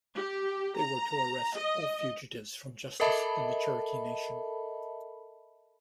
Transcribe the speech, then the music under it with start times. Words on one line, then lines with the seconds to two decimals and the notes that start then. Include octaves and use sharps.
They were to arrest all fugitives from justice in the Cherokee Nation.
0.15 G4
0.77 A#5
1.56 D#5
3.00 A4 A#4 D#5 E5 A5 B5